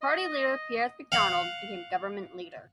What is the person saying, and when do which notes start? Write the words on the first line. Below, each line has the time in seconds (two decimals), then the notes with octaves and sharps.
Party leader Piers McDonald became Government Leader.
0.01 D#5
1.12 F5 F#5